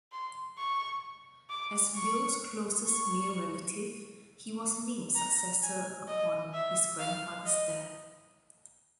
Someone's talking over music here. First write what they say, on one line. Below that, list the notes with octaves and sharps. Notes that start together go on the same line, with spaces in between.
As Leo's closest male relative, he was named successor upon his grandfather's death.
C6
C#6
D6
C#6
C#6
A#5
G#5
D#5
E5
F5
D#5